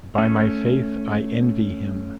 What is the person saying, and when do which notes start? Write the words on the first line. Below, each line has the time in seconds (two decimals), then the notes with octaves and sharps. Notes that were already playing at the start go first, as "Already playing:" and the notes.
By my faith, I envy him.
0.18 A3 C#4